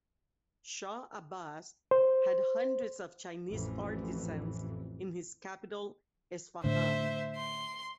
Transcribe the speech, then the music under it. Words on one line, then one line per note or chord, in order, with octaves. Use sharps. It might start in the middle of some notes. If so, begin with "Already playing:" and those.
Shah Abbas had hundreds of Chinese artisans in his capital Esfahan.
C5
A1 F2 A2 E3
A2 D3 C5 E5
C6